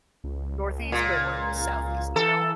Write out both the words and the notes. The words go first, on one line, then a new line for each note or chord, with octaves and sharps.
Northeast, but we're Southeast now.
C#2
A#2
E3 A4